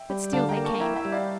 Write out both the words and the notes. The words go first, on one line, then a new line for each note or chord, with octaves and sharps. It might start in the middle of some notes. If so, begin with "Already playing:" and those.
But still they came.
Already playing: E5 G5
G3
D3 F5 A5
G5 A#5
A#3
A5 C#6
E4 G5 A#5
E5 G5
G3
D5 F5